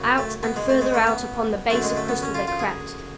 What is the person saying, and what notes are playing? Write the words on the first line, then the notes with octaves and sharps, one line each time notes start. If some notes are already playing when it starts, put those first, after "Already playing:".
Out and further out upon the base of crystal they crept.
Already playing: F#2 C#3
A3
B3
G#3
A3
G#3
A3
B3
F#2 D3 A3
G#3
A3
B3
C#4
F4
F4
G#4